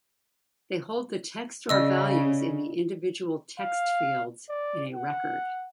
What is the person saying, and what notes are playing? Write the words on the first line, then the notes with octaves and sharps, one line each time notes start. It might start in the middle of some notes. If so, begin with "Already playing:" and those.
They hold the text or values in the individual text-fields in a record.
C#3 D5 D#5 E6
F5
D5
F#5